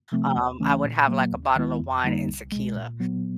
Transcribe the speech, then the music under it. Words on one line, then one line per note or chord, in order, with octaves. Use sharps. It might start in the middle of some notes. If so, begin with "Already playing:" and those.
Um, I would have like a bottle of wine and tequila.
C3 F3 A3 C4
D#2
C#3 E3 A3 C#4
A#2
F#3 A#3
D#2
D#3 G#3 B3 E4
F2
D3 G3 A#3 D#4
C2
B2 G#3
A#2
F#3 B3